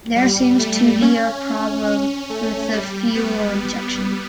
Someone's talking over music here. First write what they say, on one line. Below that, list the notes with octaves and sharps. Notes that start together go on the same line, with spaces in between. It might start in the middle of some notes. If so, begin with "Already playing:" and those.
There seems to be a problem with the fuel injection.
G3
A3
C#4
C#4
A3
G3
B3